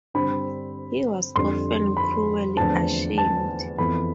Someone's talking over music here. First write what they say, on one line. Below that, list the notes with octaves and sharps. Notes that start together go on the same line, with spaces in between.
He was often cruelly ashamed.
G2 D3 G3 C4 B5
F2 D3 G3 C6
B5
E2 D3 F3 A3 C4 A5
A5
F2 E3 B3 B5